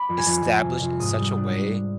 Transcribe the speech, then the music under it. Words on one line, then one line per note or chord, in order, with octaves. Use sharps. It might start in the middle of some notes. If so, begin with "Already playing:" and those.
established in such a way
Already playing: B5 D6
F2
G#5
F2
F2
C3
F2
G#2 D#6
G3
D4